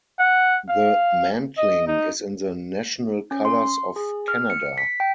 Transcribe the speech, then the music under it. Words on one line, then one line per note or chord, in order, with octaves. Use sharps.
The mantling is in the national colours of Canada.
F#5
F5
D#5
D#4
C#4
C6
G#4
F6
C#7
B6
G5